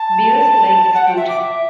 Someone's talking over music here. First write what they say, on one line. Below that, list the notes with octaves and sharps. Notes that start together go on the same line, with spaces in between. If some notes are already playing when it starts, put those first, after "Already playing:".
Bears like this fruit.
Already playing: A5
F#5
G5
E5
D6
E5